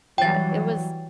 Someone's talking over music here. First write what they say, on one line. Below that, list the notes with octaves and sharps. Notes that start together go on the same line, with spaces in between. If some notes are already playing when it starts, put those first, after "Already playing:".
Yeah, it was
E3 F#3 G3 G5 A6